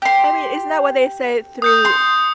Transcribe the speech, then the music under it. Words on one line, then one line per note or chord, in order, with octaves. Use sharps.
I mean, isn't that what they say through
G4 C6
D#6 G6 C#7
C6